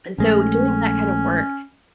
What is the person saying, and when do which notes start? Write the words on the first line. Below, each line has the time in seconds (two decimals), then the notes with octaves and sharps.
so, doing that kinda work
0.18 A#1 G#3 A3 C#4